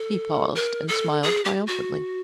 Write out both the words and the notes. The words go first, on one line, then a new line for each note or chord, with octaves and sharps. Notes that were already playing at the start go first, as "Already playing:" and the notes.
He paused and smiled triumphantly.
Already playing: A4
A#4
A4
G#4
G4
F#4